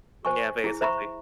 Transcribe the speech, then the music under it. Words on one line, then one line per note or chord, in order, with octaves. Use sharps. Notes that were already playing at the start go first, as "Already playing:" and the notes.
Yeah, basically,
C5 G#5 C#6
E4 G#4
C5 E5 A#5 B5 C#6